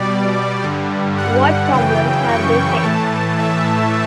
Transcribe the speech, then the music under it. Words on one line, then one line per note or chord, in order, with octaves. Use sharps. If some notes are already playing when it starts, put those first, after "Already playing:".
What problems have they faced?
Already playing: B2 G3 D5
G2 D3 G3
F#5
F#2 C#3 E3 G5
C#6
A2 E3 A3 A5
E5